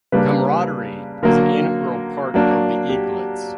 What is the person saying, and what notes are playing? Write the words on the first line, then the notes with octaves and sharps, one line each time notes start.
Camaraderie is an integral part of the eaglets.
C#3 G3 A#3 D4 B4
D3 F#3 A#3 A#4
F#3 A#3 D4
G4